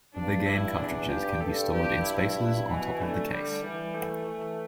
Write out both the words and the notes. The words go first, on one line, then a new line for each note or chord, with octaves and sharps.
The game cartridges can be stored in spaces on top of the case.
G2 D4
E4
E2 D4
G2 G4
G2 A4
G4
E4
B2 E3
D3 A3
G3
E3 G3
A3
E3